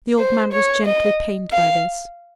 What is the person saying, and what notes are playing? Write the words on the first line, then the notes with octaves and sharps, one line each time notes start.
The old man was gently pained by this.
C5
C#5
D#5
F5